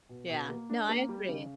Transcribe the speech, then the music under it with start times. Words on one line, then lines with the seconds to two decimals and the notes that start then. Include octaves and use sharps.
Yeah, no, I agree.
0.09 B2
0.30 B2
0.49 A#3
0.69 D4
0.89 A#3
1.09 G3
1.29 C#3